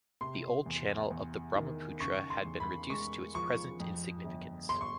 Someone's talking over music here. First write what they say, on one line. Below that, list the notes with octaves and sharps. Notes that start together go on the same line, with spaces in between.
The old channel of the Brahmaputra had been reduced to its present insignificance.
C3 C6
E2
E2
D#3
C#3 C#6
C6
E2
B5
G#3 C#6
F3 C#6
F2
G1
G1 C6
C#6